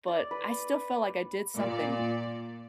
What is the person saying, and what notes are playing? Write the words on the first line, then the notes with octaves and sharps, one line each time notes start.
but I still felt like I did something
D5
B4
A#2 D5